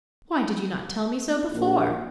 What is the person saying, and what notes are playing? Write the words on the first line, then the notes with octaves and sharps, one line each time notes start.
Why did you not tell me so before?
A#1